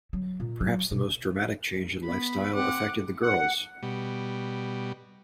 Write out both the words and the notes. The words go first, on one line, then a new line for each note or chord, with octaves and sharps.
Perhaps the most dramatic change in lifestyle affected the girls.
F#3
A#2
F#3
B2
B3 B5
C4 F#5 D6
F#5
B2 G3